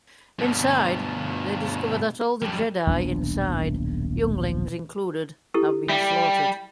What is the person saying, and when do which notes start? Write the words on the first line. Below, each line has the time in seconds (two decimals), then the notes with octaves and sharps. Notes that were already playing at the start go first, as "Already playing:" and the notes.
Inside, they discover that all the Jedi inside, younglings included, have been slaughtered.
0.39 G2 B2
2.42 F2 G3
2.87 D#1 B1 D4
5.54 E4 G4 A4
5.89 G3 E5